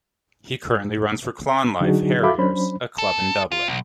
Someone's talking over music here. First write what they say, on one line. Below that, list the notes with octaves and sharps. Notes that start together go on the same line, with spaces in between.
He currently runs for Clonliffe Harriers, a club in Dublin.
D3 F#3 D4 D#4 F#4 G#4
F#4 A4 E5 F5 B5 D6
F#3 C#4 D4 C5 B5
A4
F4
B1